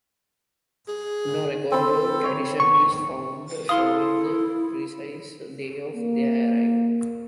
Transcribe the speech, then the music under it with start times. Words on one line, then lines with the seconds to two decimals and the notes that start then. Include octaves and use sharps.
No record or tradition is found showing the precise day of their arrival.
0.88 G#4
1.72 C4 A4 B5 C6
2.24 C#5
2.60 B3 C#6
3.69 E4 A4 F5 C6 D#6
5.96 A#3